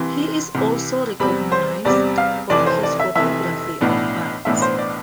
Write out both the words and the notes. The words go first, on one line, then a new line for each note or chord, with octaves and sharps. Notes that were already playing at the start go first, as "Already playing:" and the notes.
He is also recognized for his photography of bats.
Already playing: C2 C3 E3 C6
C2 C3 E3
E2 C3 G3 C4 B5
C5
E2 C3 G3 C4 D5
F5
F1 F2 E3 D5
C5
D5
E5
F1 F2 E3 E5
B1 A2 E3 B3 D4
B1 A2 E3 B3 D4 E5
C5
D5